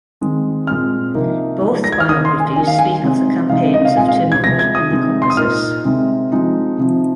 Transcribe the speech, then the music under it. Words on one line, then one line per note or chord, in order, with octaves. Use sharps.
Both biographies speak of the campaigns of Timur in the Caucasus.
D#3 G#3 C4
A#2 G#3 C4 F6
C3 F3 A#3 D#4
F3 G#3 D#4
A#6
G#6
F6
D#3 A#3 D#4 D#6
C6
G#5
D#3 A#3 D#4 G#5
F5
G#5
C3 G#3 C4 D#4
C3 G#3 C4 D#4 F5
D#5
F5
A#2 G#3 C4 G#5
F5
G#6
C3 F3 G#3 A#6
G#6
D#6
C3 G#3 C4 D#4
C6
D#6
A#2 A#3 D#4 F6
C3 G#3 C4 D#4
F3 G#3 C4 D#4
C3 F3 C4 D#4